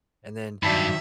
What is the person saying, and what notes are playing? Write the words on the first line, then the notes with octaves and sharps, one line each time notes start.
and then
G2 D#3 F#3 D5 E5 A5 B5